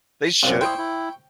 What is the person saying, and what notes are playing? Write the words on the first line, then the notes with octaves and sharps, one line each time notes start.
They should.
C2 F#2 C5 D5 F5
E4 C5 G5 C6 C#6 D#6
E4